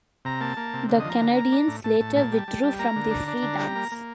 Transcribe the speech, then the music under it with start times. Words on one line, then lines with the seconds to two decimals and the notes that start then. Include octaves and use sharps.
The Canadians later withdrew from the free dance.
0.25 C3 A#5
0.41 A#3 A5
0.57 A#3
0.74 C3
0.88 D3
1.00 D#5
1.05 F3
1.10 A#5
1.21 D3
1.37 A#3
1.52 D4
1.68 A2
1.84 A2 A5
2.00 A2
2.16 A#2 A5
2.32 G3
2.48 G3
2.63 G3
2.79 A#3 A#5
2.96 D3
3.11 D4
3.28 D4
3.43 D3
3.59 G3
3.76 A#3
3.92 A#3